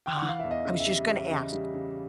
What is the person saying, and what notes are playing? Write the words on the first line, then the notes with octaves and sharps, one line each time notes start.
Ah, I was just gonna ask.
G5
F#5
E3
F5
E2 E5
D#5
C#3
E5
G3
C#3 E5
C#3
G3
C#3